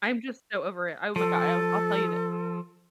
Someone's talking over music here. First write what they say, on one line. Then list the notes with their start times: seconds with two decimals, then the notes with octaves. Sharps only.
I'm just so over it, oh my god, I'll I'll tell you this.
1.16 F3 A4